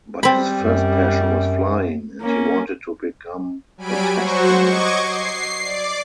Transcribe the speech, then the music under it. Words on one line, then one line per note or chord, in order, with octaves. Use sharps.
But his first passion was flying, and he wanted to become a test pilot.
G3 C4 B5
F#2
A#3 C#4
F#3 G3 G#5 B5 D7
F#3 F#4 C5 C#6
D#5 C#6 D6 G#6
C7
D5 D6